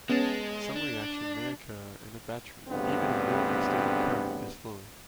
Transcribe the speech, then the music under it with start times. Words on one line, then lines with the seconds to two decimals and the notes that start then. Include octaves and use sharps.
Some reaction may occur in a battery even if no external current is flowing.
0.10 G#3 B3 C#4 A5
0.76 D4
2.69 A1 D2 G2 C#3 B3 C4